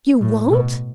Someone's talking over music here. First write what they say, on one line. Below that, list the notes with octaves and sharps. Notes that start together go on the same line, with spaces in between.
"You won't!"
A2
B2